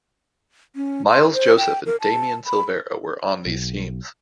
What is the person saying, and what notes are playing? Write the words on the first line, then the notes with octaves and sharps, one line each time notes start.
Miles Joseph and Damian Silvera were on these teams.
C#4
C6
C5
G5
A#4
A5
B5
B1